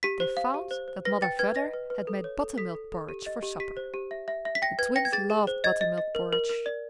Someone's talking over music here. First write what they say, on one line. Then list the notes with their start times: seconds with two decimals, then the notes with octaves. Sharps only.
They found that Mother Vedder had made buttermilk porridge for supper. The Twins loved buttermilk porridge.
0.03 G4 B6
0.20 C5
0.37 F5
0.54 G4
0.71 C5
0.88 C5
1.05 B4 A#6
1.22 G5 A6
1.39 B4 G#6
1.56 D#5 A#6
1.74 B4
1.90 B4
2.07 A4
2.24 C#5
2.41 A4
2.58 A4 B6
2.75 A4
2.92 A4
3.09 G4
3.26 D#5
3.43 G4
3.60 G4 B6
3.77 C5
3.94 G4
4.11 E5
4.28 E5
4.45 E5
4.55 B6
4.62 G5 A#6
4.79 B4 G#6
4.96 G5 A#6
5.05 G#6
5.12 G#4 A6
5.30 G#4
5.47 C5
5.64 D#5 G#6
5.81 D#5
5.98 D#5
6.15 A#4
6.33 A#4
6.49 A#4
6.66 D5